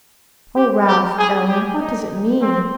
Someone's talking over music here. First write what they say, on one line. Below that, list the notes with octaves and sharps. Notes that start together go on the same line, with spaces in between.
"Oh, Ralph--Ellen--what does it mean?"
G4
G4
G#4
G4
D#4
C4